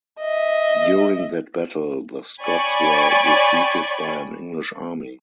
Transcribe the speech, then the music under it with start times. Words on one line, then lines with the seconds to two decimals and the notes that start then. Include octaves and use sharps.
During that battle the Scots were defeated by an English army.
0.21 D#5 E5
2.42 C#5 D5 G5 G#5 B5 C#6